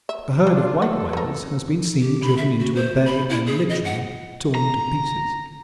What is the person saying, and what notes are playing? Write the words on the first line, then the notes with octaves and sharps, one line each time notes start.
A herd of white whales has been seen driven into a bay and literally torn to pieces.
E5
G3 D4 F4
A4 F#5
A#4 B4
G4
B5
E5
F#4
C5
B5
E4
G#4
D#5
F#5
A#5